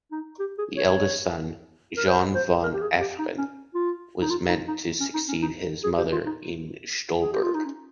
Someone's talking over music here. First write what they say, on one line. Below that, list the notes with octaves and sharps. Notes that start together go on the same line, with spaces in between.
The eldest son, Johann von Efferen, was meant to succeed his mother in Stolberg.
D#4
G4
G#4
C#5
A#4
C5
C5
A#4
G4
G#4
G4
D#4
C#4
F4
D#4
F4
D#4
D#4
C#4
D#4
C#4
D#4
G#4
G4
F4
D#4
G#4
G4
F4
D#4
C#4